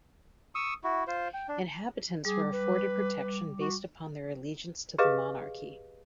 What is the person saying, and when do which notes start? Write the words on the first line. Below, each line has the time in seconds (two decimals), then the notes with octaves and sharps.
Inhabitants were afforded protection based upon their allegiance to the monarchy.
0.55 C#6 D#6 E6
0.84 E4 F#4
1.07 F4 C5
1.34 G5
1.48 D4
2.25 G3 G#4 D6
2.52 B4
3.59 F#4
4.98 G4 G#4 B4 D#5 F5